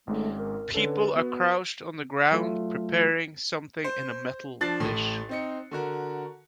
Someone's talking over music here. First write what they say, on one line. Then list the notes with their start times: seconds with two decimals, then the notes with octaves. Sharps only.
People are crouched on the ground preparing something in a metal dish.
0.07 G#1 G#2 A3 C#4
0.38 A#4
0.74 D3 C#4 A4 B4
1.16 B3 F#4
2.32 F#3 A3 F4
3.84 C5
4.61 F3 D4 F#6 A6 C7
4.80 A1 A2
5.29 C4 D#4 C#7
5.71 D3 F#4 A#4